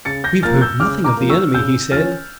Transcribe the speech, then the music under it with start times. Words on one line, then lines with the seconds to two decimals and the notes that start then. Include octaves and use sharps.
"We have heard nothing of the enemy," he said.
0.05 C#3 A6 C#7
0.24 G6 A#6
0.43 F3 A#3 F6 A6
0.61 E6 G6
0.80 C#3 D6 F6
1.04 A#5 D6
1.17 F3 A#3
1.30 C#6 E6
1.54 C#3 E6 G6
1.92 F3 C#4 F6 A6